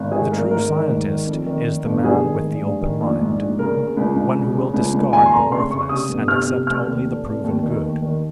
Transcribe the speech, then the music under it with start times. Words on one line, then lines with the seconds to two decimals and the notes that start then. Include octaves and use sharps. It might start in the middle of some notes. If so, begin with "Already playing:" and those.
The true scientist is the man with the open mind, one who will discard the worthless and accept only the proven good.
Already playing: G#1
0.12 D#3 G#4
0.31 G#1 A#4
0.51 G#2 A#4
0.70 D#3
0.89 G#2
1.08 D#3
1.27 F2
1.46 D#3
1.66 D#3
1.85 G1
2.05 G2 G#4
2.24 D#3
2.43 G#1
2.62 G2
2.81 D#3
3.00 A#1
3.20 G#2
3.39 A#1
3.59 C#3 A#4
3.78 C#3
3.97 C#2
4.16 C#2
4.35 C#3
4.55 C#3
4.74 C#2
4.94 C#2
5.12 D#2 G#5
5.26 C6
5.31 F1 A#5
5.51 C#3 C6
5.70 C#3 C#6
5.89 C3 D#6
6.09 G1
6.28 C3 F6
6.48 C3
6.67 F1 F6
6.86 D#2
7.05 F1
7.25 F1
7.44 D#2
7.63 D#3
7.83 D#2
8.02 D#3